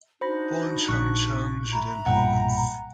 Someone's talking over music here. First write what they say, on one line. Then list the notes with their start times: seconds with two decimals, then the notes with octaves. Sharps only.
Born in Changchun, Jilin Province.
0.21 D4 D#4 F#4 C5 B5 A#6
0.89 A#1 C#6 F#6 B6
1.73 E5 A#5 B5
2.06 B1 G2 A#2 F#5 G5